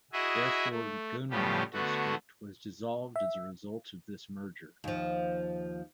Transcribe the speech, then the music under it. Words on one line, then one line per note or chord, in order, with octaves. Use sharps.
Therefore, Gunma District was dissolved as a result of this merger.
E4 F#4 G#4 D#5 E5
A3
A2 C#3 F3 G3 B3 G4
D3 A3 B3 F#4
E5
D#2 F3